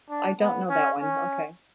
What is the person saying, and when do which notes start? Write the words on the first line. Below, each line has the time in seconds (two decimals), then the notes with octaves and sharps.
I don't know that one, okay.
0.09 D4
0.40 B3
0.69 C#4
0.99 C#4